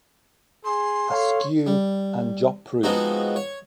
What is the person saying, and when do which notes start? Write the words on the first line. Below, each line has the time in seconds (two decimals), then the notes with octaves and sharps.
Askew and Joppru.
0.65 G#4 C6
1.10 A4 C#5 F5
1.67 G3
2.83 F3 G#3 B3 C4 D#4 F#4
3.36 C#5